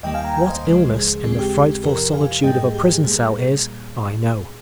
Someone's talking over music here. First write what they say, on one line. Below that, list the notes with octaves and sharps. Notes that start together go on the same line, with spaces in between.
What illness in the frightful solitude of a prison cell is I know.
D#2 D#3 G3 A#3 D#5 G5
F5 G#5
G5 A#5
F5 G#5
C5 D#5
C#2 C#3 F3 G#3
G#4
D#2 C#3 G#3 C4 G#4
G4
F2 C3 F3 G4 A#4
F5 G#5
G#2 G3 A#3 D#5 G5
G#4
G4
G#4
A#2 G3 A#3 G#4